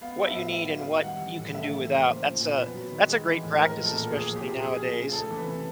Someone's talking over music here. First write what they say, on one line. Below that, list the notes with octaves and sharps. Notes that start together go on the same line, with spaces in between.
what you need and what you can do without. That's a that's a great practice, especially nowadays.
B3 F5
F#3
E5
A2
B3 E5
F#3
F5
D#3
G3 F#5
E3
A2
A3 E5
E3
C#3
A#3 C5
F3
A#2
B3 B4
F#3
D#3
G#3
E3
A2
G#3 A#4
F3
A4
A#2
A#3 G#4
F3
G4
A#2
A#3 G#4
F3
C#3
A3 A4
E3
B4
C3